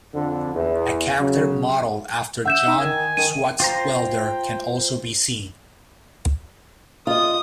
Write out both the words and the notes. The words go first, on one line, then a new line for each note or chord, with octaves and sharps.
A character modeled after John Swartzwelder can also be seen.
F2 D3
E2
C#3 F#3
E5 F#5 G6 E7
D#4
D#3 G#5
D#3 D#7
F4 C5 G5 A#5
F4 D#5 D#6